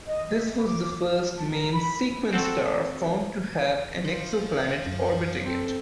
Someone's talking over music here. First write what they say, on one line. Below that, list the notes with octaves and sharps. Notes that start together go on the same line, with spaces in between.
This was the first main-sequence star found to have an exoplanet orbiting it.
D#5
E5
B4
D6
F6
A5
A#4
B5
C4 F#4 A4
F4 C5
F#2
C4 A4